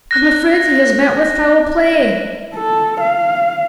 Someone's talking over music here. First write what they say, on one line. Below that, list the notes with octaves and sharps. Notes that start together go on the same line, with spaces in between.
I'm afraid he has met with foul play.
F#6 A#6
A4
F5